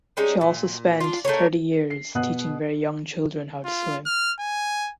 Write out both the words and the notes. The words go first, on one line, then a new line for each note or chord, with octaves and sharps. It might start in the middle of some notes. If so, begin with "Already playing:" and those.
She also spent thirty years teaching very young children how to swim.
G3 G#3 C#4 D#4
A#2
D4 F4
A3 A#3 A#4 C#5
C7
B2 B3 F#5 D#6 F#6
F4
F6
G#5